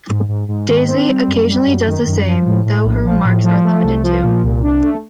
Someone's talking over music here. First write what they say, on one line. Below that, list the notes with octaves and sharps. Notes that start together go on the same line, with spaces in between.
Daisy occasionally does the same, though her remarks are limited to ?
G#2
G#2
G#2
D#3
C4
G3
F#2
G3
F#2
D#3
F#2
F3
A2
A2
A#1
F3
A2
F3
A3
C2
F3
A#2
C2
D4
A3